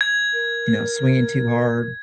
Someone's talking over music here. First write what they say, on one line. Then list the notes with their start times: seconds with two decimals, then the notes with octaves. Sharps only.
you know, swinging too hard.
0.01 G#6
0.33 A#4